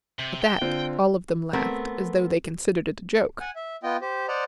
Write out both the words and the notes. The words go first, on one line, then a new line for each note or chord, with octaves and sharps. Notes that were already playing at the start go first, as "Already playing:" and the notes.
At that all of them laughed, as though they considered it a joke.
C3 F#7
G5
D3 C4 F4
A3 B3 C4 A#4
F#5 G#5
E5
B3 F4 D#5 G5
G4 C5
C5 D5 D#5 F#5 A#5